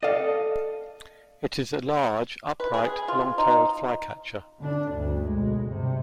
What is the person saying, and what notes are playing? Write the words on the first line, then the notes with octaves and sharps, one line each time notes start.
It is a large upright long-tailed flycatcher.
A4 D5 D#5 F5
B4
G#4
F4
D#4
D3 D4
G1 D2
B1 G#3
G1 C3